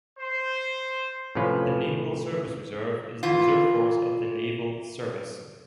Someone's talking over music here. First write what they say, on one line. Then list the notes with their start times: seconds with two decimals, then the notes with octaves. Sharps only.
The Naval Service Reserve is the reserve force of the Naval Service.
0.19 C5
1.35 A2 C3 F3 C#4 B4 F5
3.23 E3 F4